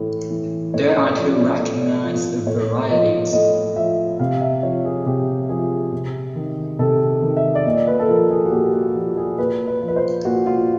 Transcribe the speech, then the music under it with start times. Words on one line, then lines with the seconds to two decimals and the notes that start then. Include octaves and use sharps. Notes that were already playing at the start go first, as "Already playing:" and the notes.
There are two recognised varieties.
Already playing: A2 E3
0.30 E3
0.74 A2 C#5
1.08 C#5
1.17 F3 D5
1.60 A2 D5
2.03 F3
2.47 A2 C#5
2.90 F3 D#5
3.33 A2 D#5
3.76 F3 E5
4.19 C3 F5
4.41 E5
4.63 F3 C#5
4.85 G#4
5.06 C3 G4
5.49 F3 G#4
5.93 C3
6.35 D#3
6.79 C3 A4
7.22 D#3
7.37 E5
7.55 D5
7.65 A#2 D#5
7.87 B4
7.99 A4
8.08 F3 A#4
8.30 G#4
8.46 F#4
8.51 A#2 G4
8.73 F#4
8.87 G4
8.95 F3 F#4
9.17 G#4
9.38 A#2 B4
9.67 B4
9.82 F3
9.88 B4
9.96 C5
10.25 A#2 F#4
10.46 F4